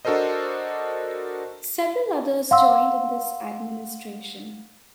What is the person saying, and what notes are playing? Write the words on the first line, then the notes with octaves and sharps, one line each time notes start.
Several others joined in this administration.
D4 F#4 A4 A#4 C5 D#5
F5 F#5 C6 E6